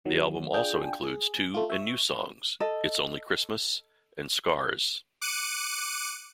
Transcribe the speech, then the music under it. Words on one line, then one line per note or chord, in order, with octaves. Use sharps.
The album also includes two and new songs, "Its Only Christmas" and "Scars".
D#3 F#3
D4 F4 G#4 G5
G#4
A3 F4
E5 C#6
A4 D#5
D6 F#6 C#7 D#7